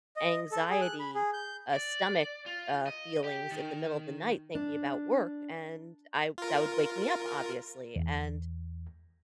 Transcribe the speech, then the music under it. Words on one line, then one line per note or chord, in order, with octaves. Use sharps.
anxiety, uh, stomach, uh, feelings in the middle of the night thinking about work, and I that would wake me up, obviously, and
D#5
A4
G#4
F#6
B5
G#4
G6
D5
F4
D#5
G4
D#3
D4
F4 A#4
E2